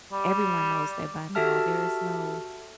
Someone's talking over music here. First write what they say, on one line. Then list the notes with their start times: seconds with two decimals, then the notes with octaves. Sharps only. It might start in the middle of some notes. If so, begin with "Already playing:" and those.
everyone knows that by now, there is no
0.12 G3
1.35 F#4 G4 A4 E5 A5 F6